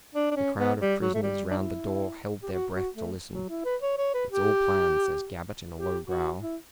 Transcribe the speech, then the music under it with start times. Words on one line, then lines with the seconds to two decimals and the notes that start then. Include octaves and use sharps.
The crowd of prisoners round the door held their breath to listen. "It's all planned," says Gabbett, in a low growl.
0.15 D4
0.31 D4
0.36 C#4
0.57 B3
0.80 G3
1.01 F#3
1.14 A3
1.22 G3
1.51 D4
1.54 E4
2.43 G4
2.52 F#4
2.74 F#4
2.95 A3
3.34 F#3
3.50 E4
3.65 B4
3.82 C#5
3.98 C#5
4.14 B4
4.31 G4
5.76 G4
6.09 F#4
6.41 E4